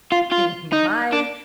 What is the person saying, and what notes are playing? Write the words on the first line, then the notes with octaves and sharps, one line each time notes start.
in my
F4
F4
D#4
D4